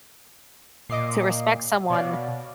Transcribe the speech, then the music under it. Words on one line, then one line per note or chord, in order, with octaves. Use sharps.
to respect someone
A#2 D#5 D6 C7
B2 C#5 D5 F5